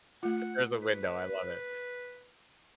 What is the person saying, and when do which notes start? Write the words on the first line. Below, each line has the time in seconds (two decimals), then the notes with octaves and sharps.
There's a window, I love it.
0.23 A3 F4 F#5
0.82 B4